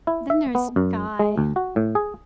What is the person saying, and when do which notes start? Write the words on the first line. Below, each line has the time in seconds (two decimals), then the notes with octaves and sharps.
Then there's Guy.
0.07 E4
0.30 E5
0.55 B3
0.76 F#2
1.19 G#3
1.38 D2
1.56 F#4
1.76 A2
1.95 G#4